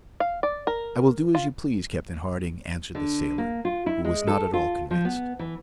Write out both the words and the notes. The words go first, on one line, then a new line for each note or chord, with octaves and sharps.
"I will do as you please, Captain Harding," answered the sailor, who was not at all convinced.
F5
D5
A#4
F4
D3
A#3
F4
E4
G#3
A4
F4
F3
B3
E3